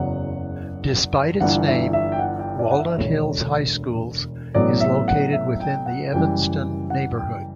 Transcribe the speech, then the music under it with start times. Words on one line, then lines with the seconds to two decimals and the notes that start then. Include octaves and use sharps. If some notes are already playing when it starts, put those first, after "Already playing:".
Despite its name, Walnut Hills High Schools is located within the Evanston neighborhood.
Already playing: F#1 E2 C#3 F#3 F#5
1.40 G1 G2 E3 F#5
1.67 E5
1.93 E5
2.12 G5
2.19 F#5
2.39 G5
2.59 D5
2.71 F#5
2.79 E5
2.97 E1 D2 D3 A3 C#5
4.54 A1 A2 F#3 B3 D5
4.81 E5
5.08 F#5
5.33 E5
5.60 G5
5.86 F#5
6.12 F#1 F#2 E3 G3 G5
6.90 F#5
7.17 G5